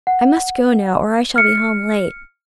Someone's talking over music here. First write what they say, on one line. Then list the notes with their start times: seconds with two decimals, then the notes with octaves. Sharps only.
I must go now or I shall be home late.
0.07 F#5
1.36 F6 C#7